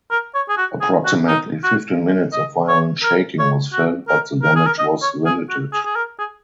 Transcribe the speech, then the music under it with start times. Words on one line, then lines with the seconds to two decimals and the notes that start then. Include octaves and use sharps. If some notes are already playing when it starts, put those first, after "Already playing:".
Approximately fifteen minutes of violent shaking was felt but the damage was limited.
0.11 A#4
0.35 C#5
0.49 G#4
0.58 F#4
0.81 G#4
1.05 F#4
1.28 D#4
1.64 F#4
2.33 D#5
2.69 C#5
3.03 A#4
3.39 C#5
3.73 F#4
4.08 A#4
4.43 A#4
4.56 G#4
4.67 A#4
4.79 D#5
5.02 C#5
5.26 G#4
5.49 F#4
5.73 G#4
5.86 G#4
5.96 A#4
6.19 G#4